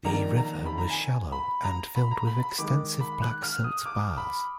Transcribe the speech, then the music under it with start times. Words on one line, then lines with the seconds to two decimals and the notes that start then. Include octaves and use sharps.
The river was shallow and filled with extensive black silt bars.
0.05 F2 D#3 A#3 D4 A#5
0.37 A#5
0.66 B5
0.78 A#5
0.90 G#5
1.32 B5
1.64 A#5
1.96 B5
2.11 A#5
2.27 B5
2.43 B5
2.58 D#3 G#3 D#4 D6
3.01 B5
3.22 F#6
3.43 F6
3.64 D#6
3.86 D6
4.17 B5